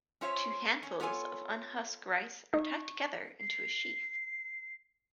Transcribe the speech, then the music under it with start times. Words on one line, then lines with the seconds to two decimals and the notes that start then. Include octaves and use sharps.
Two handfuls of unhusked rice are tied together into a sheaf.
0.21 C#4 F4 C5 C#5 E5
0.83 C#4
1.00 B3 F4 A4 C#5 G#5
2.54 D#4 C#6
3.39 C7